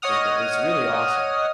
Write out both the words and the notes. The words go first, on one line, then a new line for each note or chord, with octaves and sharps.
It's it's really awesome.
C#5 D#5 F#5 D#6 F6